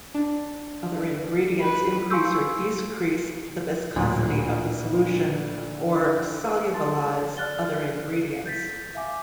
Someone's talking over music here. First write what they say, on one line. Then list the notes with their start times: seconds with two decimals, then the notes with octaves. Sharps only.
Other ingredients increase or decrease the viscosity of the solution, or solubilize other ingredients.
0.15 D4
1.60 B4
2.10 F5 G#5 C6 C#6 E6 G6
3.96 D1 D2 A#2 D3
6.74 A5 C6 A6
7.37 D5 F6 F#6 A6 G7
8.46 G6 A6 B6
8.95 E5 F5 G#5 D6